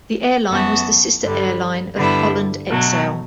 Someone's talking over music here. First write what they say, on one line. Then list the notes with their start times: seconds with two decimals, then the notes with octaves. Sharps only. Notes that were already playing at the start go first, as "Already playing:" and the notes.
The airline was the sister airline of Holland Exel.
0.50 F#2 E3 B3 F#4 A4
1.23 G2 D3 G3
1.96 G2 D3 G3 B3 E4
2.70 B2 F#3 A3